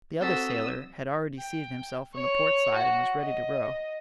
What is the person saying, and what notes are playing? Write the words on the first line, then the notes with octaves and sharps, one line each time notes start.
The other sailor had already seated himself on the port side and was ready to row.
C4 F#4 A4 C5 D#6 E6 A6 B6
G5
C#5
F#4
D#5